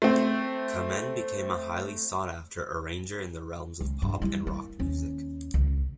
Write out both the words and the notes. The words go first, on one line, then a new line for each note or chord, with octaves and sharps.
Kamen became a highly sought-after arranger in the realms of pop and rock music.
A3 C4
C#2
G2
G3 E4
A#3
D#2 C#4
C#2